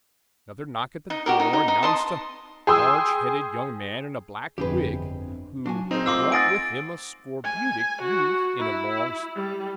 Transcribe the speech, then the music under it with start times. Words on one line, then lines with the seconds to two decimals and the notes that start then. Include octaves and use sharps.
Another knock at the door announced a large-headed young man in a black wig, who brought with him a scorbutic youth in a long stock.
1.10 D#4
1.26 F#4 G4 A#4
1.40 D#4
1.53 D#4
1.68 D#4
1.83 A5 C6 D#6
2.67 G#4 G5 C6 D#6 E6
4.58 G1 F2 G4 G#4 B4
5.66 F#3 D4 F#4 G#5
5.91 A#2 G#3 C4 D#4
6.06 A3 F4 A#4 C6 D6 E6 C7
6.32 F#5 G#5 D#6 A6 A#6 D7
7.45 G#5
8.02 F#4
8.59 E4
9.36 G3